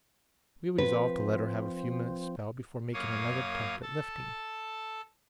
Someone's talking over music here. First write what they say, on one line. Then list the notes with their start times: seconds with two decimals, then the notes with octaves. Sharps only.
We resolved to let her have a few minutes' spell before making another attempt at lifting.
0.78 F3 C4 B4
2.94 F#2 A#3 C#5 F5 D#6
3.82 A4 A5